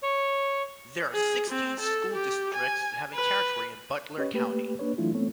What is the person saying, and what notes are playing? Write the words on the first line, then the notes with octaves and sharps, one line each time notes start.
There are sixteen school districts having territory in Butler County.
C#5
G#4
C4
A4
G4
G#5
B4
C#4 G4 B4 C#5 D#5
A3 A#3 G4 B4
A#3 D4 B4 C#5
E3 F#3 A3 D4 E4 F4
A3 B3 C4 C#5